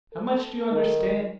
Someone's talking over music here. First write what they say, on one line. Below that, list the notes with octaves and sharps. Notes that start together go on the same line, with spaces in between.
How much do you understand?
A4
D#3